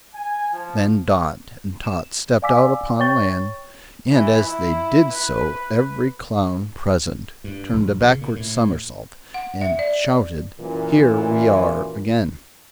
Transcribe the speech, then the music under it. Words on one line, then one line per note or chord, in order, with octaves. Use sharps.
Then Dot and Tot stepped out upon land, and as they did so every Clown present turned a backward somersault and shouted, "Here we are again!"
G#5
F3
E7
D5 F5 G#5 D6 E6 B6
C#5 G5 C#6 A6 G7
E3
E4
B4
G2
A#1
C#3
A#2
A2
F#5
E5
D5
F#2 A#2 E3